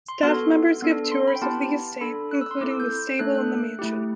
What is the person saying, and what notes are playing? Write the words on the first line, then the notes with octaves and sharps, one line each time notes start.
Staff members give tours of the estate, including the stable and the mansion.
C6
B3 F#4 A4 C6
B3 D4 A4
C6
B5
G5
B3 E4 G4 A5
D4 A4 B5
F#6
E6
C6
C4 E4 A4 D6
E6
G6
G6
A3 D4 A4 F#6
F#6
A3 E4 G4